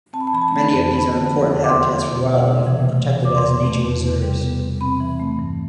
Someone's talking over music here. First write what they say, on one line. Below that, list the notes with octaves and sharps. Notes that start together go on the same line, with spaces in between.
Many of these are important habitats for wildlife and protected as nature reserves.
C4 A5
B5
A5
E3 B5
A5
B5
A3 A5
B5
F2 A5
B5
A5
B3 B5
A5
D3
F3
E2
D6
B3 C6
B3
B2
B2
C3
E3
A3
C3
E2 D6
C6
B2 D6
A3
E2
C3
G3
B3
C3
C4 B5
E3
A3
G2